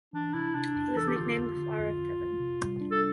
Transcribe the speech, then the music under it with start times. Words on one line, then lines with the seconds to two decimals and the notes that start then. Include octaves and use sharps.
He was nicknamed "the flower of Devon".
0.13 E3 D4
0.34 C3 E4
0.55 C3 D4
0.76 F2
0.96 E3 A4
1.07 G4
1.17 D3 F4
1.38 F2
1.57 D3
1.79 F2
1.98 F2
2.19 F2
2.40 C3
2.61 G3
2.81 D4
2.91 A4